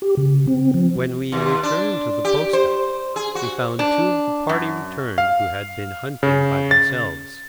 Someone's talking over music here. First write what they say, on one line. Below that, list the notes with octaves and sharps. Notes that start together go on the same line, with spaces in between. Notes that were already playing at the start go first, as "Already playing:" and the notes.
When we returned to the posta, we found two of the party returned who had been hunting by themselves.
G4
C#3
C4
F3
D#2
D4
G4
C5
G#4
F#4
D4
F#2
F5
C#3
A6